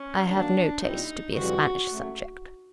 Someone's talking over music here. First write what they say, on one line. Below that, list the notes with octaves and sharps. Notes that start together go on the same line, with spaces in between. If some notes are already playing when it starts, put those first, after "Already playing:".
"I have no taste to be a Spanish subject."
Already playing: C#4
D#3 F#3 A#3 D4
A#2 G3 C4 D#4 E4
F2 C#3 E3 G3 C4 F#4
C#3 F#3 A3